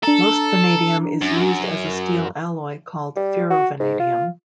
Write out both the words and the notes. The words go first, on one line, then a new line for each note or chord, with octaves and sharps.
Most vanadium is used as a steel alloy called ferrovanadium.
D4 A4 A#5
F#2
G3
F#4
G#2
F4